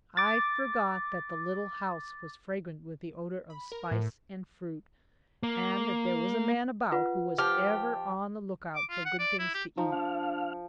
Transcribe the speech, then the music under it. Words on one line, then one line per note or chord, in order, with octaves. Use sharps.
I forgot that the little house was fragrant with the odor of spice and fruit, and that there was a man about who was ever on the lookout for good things to eat.
D6 A6
B5
A#4
A2
A#3
F4 B4 F#5
F3 G4 F6
D6
F4
F#5
D5
E4
G4
F3 D#4
D4 F5